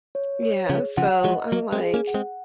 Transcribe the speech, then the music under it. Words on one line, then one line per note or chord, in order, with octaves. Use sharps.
yeah, so I'm like,
C#5
C#5
C#3 F3 G#4
C#3 F3 F#5
F3 G#3 D#5
F#3 A#3 D#5
G#3 C4
G#4
A#3 C#4
F#5
G#3 C4